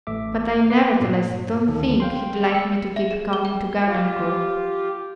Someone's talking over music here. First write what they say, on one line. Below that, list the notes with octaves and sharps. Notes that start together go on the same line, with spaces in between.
"But, I nevertheless don't think he'd like me to keep coming to Gardencourt."
A1 A3 E5 D6
A#3 B4 D6 C7
G2 A#2
D2 D#3 A4
F5 G5 C6
E6 C#7
E5
G#4
G7
G5
F4 G4